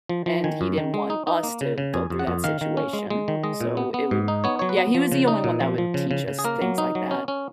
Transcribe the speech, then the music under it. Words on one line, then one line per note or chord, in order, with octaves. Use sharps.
And he didn't want us to go through that situation, so it would Yeah, he was the only one that would teach us things like that.
F3
F3
D#3 G#5
F#2
D#3
G#3
D#4
D#4
A#3
C#3
C#3
F2 G#5
F2
F#5
F2
D#3 F5
D#3
C#4
G#3
G#3
D#3
G#3 D#5
A#2
B3
B3
G#2
D#4
B3 C#5
F#3 C#5
B4
B3
F3
C#3
D#4
A#2
F3
F3
C#3
C#3
C#3
G#4
A#3 A#4
F#3
D#4
F#3
C#4
C#4